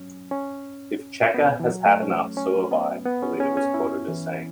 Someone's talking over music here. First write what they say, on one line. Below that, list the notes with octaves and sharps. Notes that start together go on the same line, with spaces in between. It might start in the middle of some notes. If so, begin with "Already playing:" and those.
"If Checcha has had enough, so have I," Deledda was quoted as saying.
Already playing: F#3 C#4
C#4
B3
E3
F#3
A3
C#4
C#4
B3
B3
C#4
C#4
C#4
E4
E3